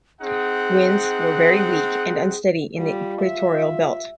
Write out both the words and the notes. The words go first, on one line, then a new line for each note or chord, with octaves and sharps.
Winds were very weak and unsteady in the equatorial belt.
C4 D#4 G#4 F#5
G3 F4
E5